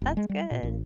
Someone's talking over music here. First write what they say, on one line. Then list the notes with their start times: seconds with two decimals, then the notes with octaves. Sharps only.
That's good.
0.02 E1
0.17 G#3
0.29 G3
0.51 A#2
0.63 A1